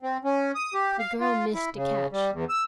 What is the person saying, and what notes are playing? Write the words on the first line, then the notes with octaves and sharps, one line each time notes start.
The girl missed the catch.
C4
C#4
D#6
G4
F5
F4
E4
C#3
G3
E2
E6